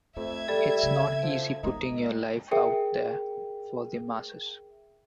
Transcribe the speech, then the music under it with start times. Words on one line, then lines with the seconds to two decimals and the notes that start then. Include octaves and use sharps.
It's not easy putting your life out there for the masses.
0.17 F2 A3 E5 G#6
0.48 G3 A4
0.83 C#3 C4
1.23 F3
1.63 G#3 B3 D#4
2.51 G#4 A#4 E5 G5